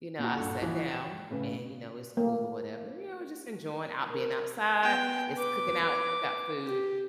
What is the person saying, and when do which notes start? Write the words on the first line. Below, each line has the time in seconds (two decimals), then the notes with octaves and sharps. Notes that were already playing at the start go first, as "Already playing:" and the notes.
you know, I sat down, and, you know, it's cool or whatever. You know, we're just enjoying out being outside, it's cooking out cook out food,
0.19 A#2 F#4
0.36 G2 A4
0.62 E3 F3 F#4
0.91 G5 E7
1.31 A2 C#3 B4
2.17 A3 A#3
4.10 A#4
4.83 B3 G5
5.36 B4 D6
6.66 G4